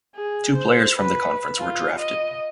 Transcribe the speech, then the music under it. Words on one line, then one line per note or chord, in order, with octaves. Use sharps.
Two players from the conference were drafted.
G#4
C5
B4
F4
D#5